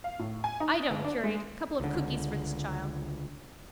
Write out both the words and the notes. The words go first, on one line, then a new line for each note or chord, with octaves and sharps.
Item, curate, couple of cookies for this child.
F5
A2
G#5
D#4
G1
D4
G#3
C#2 D3